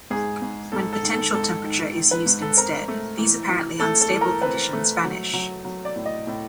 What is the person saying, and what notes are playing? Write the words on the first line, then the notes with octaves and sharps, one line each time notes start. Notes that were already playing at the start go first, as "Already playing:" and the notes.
When potential temperature is used instead, these apparently unstable conditions vanish.
G#2 G#4
G#2
G#2 A4
A4
D#3
A4
G#2 A4
D#3
D#3
B4
G#2
A4
C4 A#4
A3
E3
E3
A3 A4
A4
E3
A#4
C4 B4
A3
F#3
F#3
F#3
D5
A2
D#5
A2